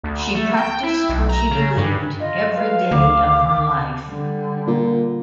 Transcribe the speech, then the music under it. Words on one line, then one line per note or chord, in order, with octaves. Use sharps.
She practised what she believed every day of her life.
D2
A3
G5
E4
B1
A#5
C#3
G2
F4 D#5
B4 F5
D2 D6
D3 G3
A#2